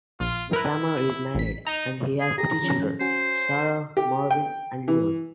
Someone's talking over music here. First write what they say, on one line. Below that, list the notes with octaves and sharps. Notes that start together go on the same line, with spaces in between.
Sammer is married and has three children, Sarah, Marvin, and Leon.
A#1 F4
E4 A#4 B4
A1 B6
D#4 A#5
G#4
G4 G#4 A#5
D#3 F3 C#4
C#4 F#4 C5 G#5
G4
G5
E3